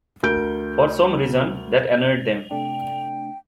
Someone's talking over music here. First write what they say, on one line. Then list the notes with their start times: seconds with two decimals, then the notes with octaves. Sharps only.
For some reason that annoyed them.
0.23 D2 A#4 G6 D7
2.51 C3 A3 D4 G5